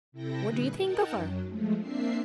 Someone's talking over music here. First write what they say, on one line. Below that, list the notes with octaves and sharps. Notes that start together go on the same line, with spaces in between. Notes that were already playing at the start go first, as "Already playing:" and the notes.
What do you think of her?'
C3 E4 A4 G5 A#6
A#2 D3 G3 G#4 B4 F#6
D#4 A#4 F#5 G5 A5
F#2 F#3
F3 G#3 A3
A#3 C4 D4 E5 C7